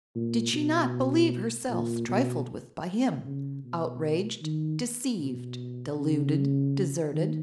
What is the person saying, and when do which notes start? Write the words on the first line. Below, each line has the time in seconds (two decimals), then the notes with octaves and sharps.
Did she not believe herself trifled with by him, outraged, deceived, deluded, deserted?
0.15 A#2
0.53 B2
1.70 A#2
2.08 B2
3.25 C#3
3.64 B2
4.42 D#3
5.19 B2
5.96 C#3
7.12 D#3